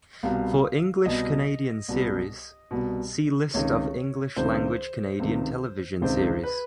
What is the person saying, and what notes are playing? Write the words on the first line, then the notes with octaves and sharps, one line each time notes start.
For English Canadian series, see List of English-language Canadian television series.
C2 B2 F5
C2 B2 D#5
C2 B2
C2 B2
C#2 C3 D#3 C#5
C#2 C3 D#3 C5
C#2 C3 D#3
C#2 C3 D#3 C5
B4